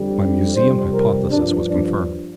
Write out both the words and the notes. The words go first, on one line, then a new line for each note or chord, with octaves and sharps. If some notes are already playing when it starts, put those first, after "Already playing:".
My museum hypothesis was confirmed.
Already playing: F2 D3 G3
F2 C3 G3 C5
A#4
G2 F3 D4
D4